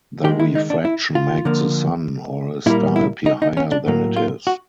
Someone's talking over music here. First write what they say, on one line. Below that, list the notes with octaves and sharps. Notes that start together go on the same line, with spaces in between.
The refraction makes the sun or a star appear higher than it is.
D#3 G#3 G4
E4
D#4
D4
E4
F4
D3 F3 A#3
A#2 G3 A#3 E4
E4
D#4
D#4
C#4
D4
A2 F#3 A#3
F4
F#4